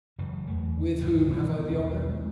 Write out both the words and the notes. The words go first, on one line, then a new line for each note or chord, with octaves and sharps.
"With whom have I the honour?"
F#1 F#2 C#3 E3
E2 A3
E1 C#2 G2 E3
B2 E3
B1 E2 C#4
G#3